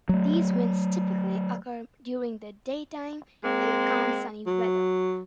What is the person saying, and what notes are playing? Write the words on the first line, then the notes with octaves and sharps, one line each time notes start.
These winds typically occur during the daytime in calm sunny weather.
F#3 A3
G#3 A#3 C4
F#3